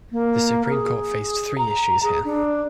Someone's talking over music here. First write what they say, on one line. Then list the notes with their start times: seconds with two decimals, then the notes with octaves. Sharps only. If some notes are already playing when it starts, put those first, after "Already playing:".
The Supreme Court faced three issues here.
0.12 A#3
0.70 G#4
1.58 A#5
2.03 G#4
2.24 D4